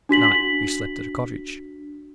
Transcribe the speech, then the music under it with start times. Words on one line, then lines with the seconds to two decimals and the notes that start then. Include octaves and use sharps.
At night we slept at a cottage.
0.09 D4 F#4 B6 F#7